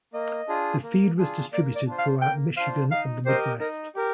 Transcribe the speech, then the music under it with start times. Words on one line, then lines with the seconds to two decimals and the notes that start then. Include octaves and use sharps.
The feed was distributed throughout Michigan and the Midwest.
0.13 A#3 D#5
0.48 D4 F4 G#4
0.83 A#3
1.17 D4 F4 G#4
1.53 A#3 D5
1.75 D5
1.87 D4 F4 C5
1.99 F5
2.21 A#3 G5
2.56 D4 F4 C5 F5
2.91 D#4 F5
3.25 G4 A#4 C5 D#5
3.60 D#4 A#4
3.95 G4 A#4